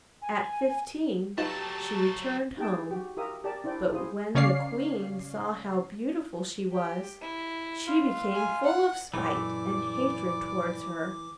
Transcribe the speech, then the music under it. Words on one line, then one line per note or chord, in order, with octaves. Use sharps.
At fifteen she returned home, but when the Queen saw how beautiful she was, she became full of spite and hatred toward her.
G#5
F#3 A3 D#4 F4 G4 B4 A5
D#4 G4 G#4 G5 A5
F#4 G4 G5
F4 G4 A#4 E5 D#6
G4 A#4 D5 A5
D4 E4 C5 D5 G5
E4 F4 G#4 C5 D#6
C#3 C#4 C#5 D5 F5 C7
G4
E4
F4
G#5
F#5
F#2 A#2 E3 G#3 A3 D5 D6